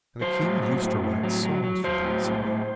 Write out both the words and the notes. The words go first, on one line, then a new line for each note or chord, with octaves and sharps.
And the King used to write songs for Bellissima.
F#3 C5
A2
F#3
A2
A2
F#3
F#3
F#3
F#3 C5
A2
A2
A2